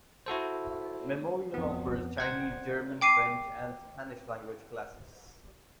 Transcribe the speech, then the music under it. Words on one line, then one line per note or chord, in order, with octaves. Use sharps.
Memorial offers Chinese, German, French and Spanish language classes.
E4 F#4 A4 C5
F2 B3
C5 F#5 G#6
G5 D6 C7 D#7